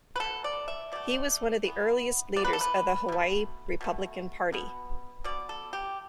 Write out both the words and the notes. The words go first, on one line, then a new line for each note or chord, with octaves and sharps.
He was one of the earliest leaders of the Hawaii Republican Party.
B4
B2 A3 A4
D5
E5
B2 A3 D5
E3 B3
E3 B3 D5
B4
A4
B4
B2 A3
B2 A3
B2 B3
B2 B3 D5
A4
G4